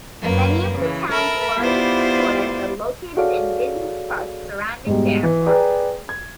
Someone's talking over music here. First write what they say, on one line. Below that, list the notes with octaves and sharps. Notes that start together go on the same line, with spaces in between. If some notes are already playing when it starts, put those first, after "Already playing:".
Many of the town's largest employers are located in business parks surrounding the airport.
F#2 A#3 B4
C#3 E3
A4 A#4 E5 B5
B3 E4 F4 G4 C5 D5
F#4 G#4 A4 C#5 D5 F5
G#2 B2 G3
E3
G#4 B4 D5 G5 A#5
G#6